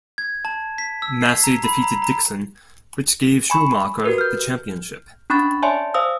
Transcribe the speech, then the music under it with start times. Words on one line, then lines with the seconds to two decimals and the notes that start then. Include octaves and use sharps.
Massey defeated Dixon, which gave Schumacher the championship.
0.18 G#6
0.45 A5
0.78 B6
1.02 E6
1.21 C7
1.44 A#5
1.64 B5
1.83 A#5
2.02 A#5
3.50 G#5 B5 C#6
4.04 F#4 G4 A#4 B4
4.18 F6 G6
5.30 C#4 D4 B5 C#6 F#6 A6
5.62 C#5 D5 E5 G#5 A5 C6
5.94 C5 F5 D#6 E6